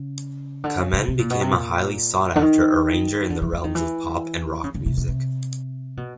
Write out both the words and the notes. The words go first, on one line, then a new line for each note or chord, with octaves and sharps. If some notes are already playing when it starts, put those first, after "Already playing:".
Kamen became a highly sought-after arranger in the realms of pop and rock music.
Already playing: C#3
D3
C#3
C#3
C3
A#2
B2
C3
A#2
D3
D#3
D3
E3
E3
D#3
E3
C#3
C#3
C3
C3
C3
B2